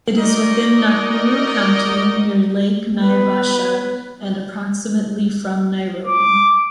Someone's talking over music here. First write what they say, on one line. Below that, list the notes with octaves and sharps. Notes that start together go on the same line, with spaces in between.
It is within Nakuru County, near Lake Naivasha and approximately from Nairobi.
D#4 F#4 A#4 D5 D#5
B3 B4
D6